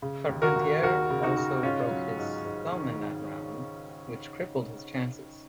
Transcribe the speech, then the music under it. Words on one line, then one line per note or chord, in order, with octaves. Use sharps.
Carpentier also broke his thumb in that round, which crippled his chances.
C#3
D#2
F#4 A#4
D#2
D#2 F#4 A#4
C#3
D#4 F#4
C#3
G#2 C#4 F4
F#3
G#2
G#2
D#3
G#2